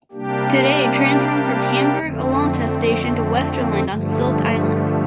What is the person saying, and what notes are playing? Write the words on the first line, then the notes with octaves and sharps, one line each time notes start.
Today trains run from Hamburg-Altona station to Westerland on Sylt island.
C3 G3 A#3 D4 G4
F2 D3 A3 C4
G2 D3 F3 A3